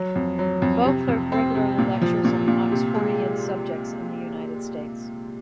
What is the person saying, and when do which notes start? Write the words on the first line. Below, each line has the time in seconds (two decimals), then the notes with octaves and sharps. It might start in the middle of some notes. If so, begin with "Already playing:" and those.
Beauclerk regularly lectures on Oxfordian subjects in the United States.
Already playing: F#3
0.15 F2
0.39 F#3
0.62 F2
0.85 C3
1.08 F2
1.32 C4
1.55 C3
1.78 A#2
2.02 F3
2.25 A#2
2.48 A#2
2.71 C3
2.95 G#3